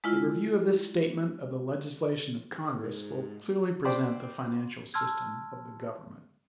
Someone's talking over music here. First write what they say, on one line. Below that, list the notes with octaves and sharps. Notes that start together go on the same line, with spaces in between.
A review of this statement of the legislation of Congress will clearly present the financial system of the Government.
G#3 E4 F4
G#2
B4 C5 D5 G5
A5 C6 E6 F6 G#6